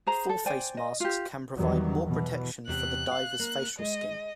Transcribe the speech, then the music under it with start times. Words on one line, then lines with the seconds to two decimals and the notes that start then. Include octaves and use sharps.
Full-face masks can provide more protection for the divers' facial skin.
0.07 G#4 C5 A#5
0.29 A4
0.46 C5 D5 G5 G#5
0.77 D#5
1.00 F4 G4
1.57 E2 D#3 F#3 G3
2.06 B2 E3
2.68 E2 C3 G4 F#6
3.07 F5 G5
3.39 A#3
3.79 G#3 D#5